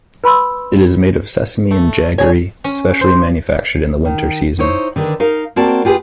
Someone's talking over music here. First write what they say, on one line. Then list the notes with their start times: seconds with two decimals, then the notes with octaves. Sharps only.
It is made of sesame and jaggery specially manufactured in the winter season.
0.24 B4 B5 C6 E6
1.71 A3
2.18 D4 G#4 C#5 G#5
2.64 C#4
3.01 C5
4.05 D#3
4.58 D#4 E4 C5 C#5
4.96 D3 D#3 D4 B4
5.20 D#4 A#4 F5
5.56 A#3 C4 F#4 D5 A5
5.85 F4 G4 G#4 A#4 B4